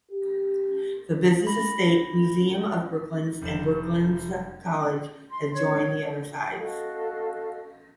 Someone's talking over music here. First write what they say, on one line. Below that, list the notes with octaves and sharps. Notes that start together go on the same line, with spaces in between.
The business estate, museum of Brooklands and Brooklands College adjoin the other sides.
G4
B5 A#6
F1 E7
C6
C#5
F#4 A4 D#5 F5